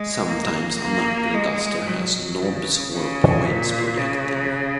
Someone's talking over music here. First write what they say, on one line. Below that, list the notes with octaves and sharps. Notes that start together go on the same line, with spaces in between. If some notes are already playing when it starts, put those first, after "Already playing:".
Sometimes a knuckle-duster has knobs or points projecting.
Already playing: G#3
A#3
A#3
G#3
F#3
C#3
C#3
A#2
C#3